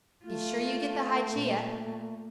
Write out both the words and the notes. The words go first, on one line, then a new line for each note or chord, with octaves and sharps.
Be sure you get the Hygeia.
A3 F4
A#2